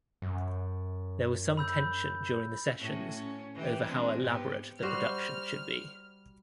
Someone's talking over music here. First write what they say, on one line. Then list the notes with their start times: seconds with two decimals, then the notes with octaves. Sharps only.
There was some tension during the sessions over how elaborate the production should be.
0.22 F#2
1.57 B5 E6 G6
2.79 A2 C#4 F#4
3.11 C#4
3.54 E3 G4
3.88 G#3 C4 D4
4.22 G#2 B3 G4
4.82 G3 F#4 C5 F6